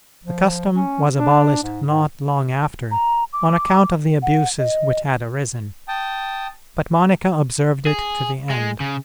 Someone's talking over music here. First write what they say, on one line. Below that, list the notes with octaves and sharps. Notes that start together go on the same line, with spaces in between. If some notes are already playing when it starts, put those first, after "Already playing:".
The custom was abolished not long after on account of the abuses which had arisen, but Monica observed it to the end.
F3
C#4
D4
G#2
G#2
A#5
D6
F#5
D#5
G5 A5 D#6
G#4
G#3
C#3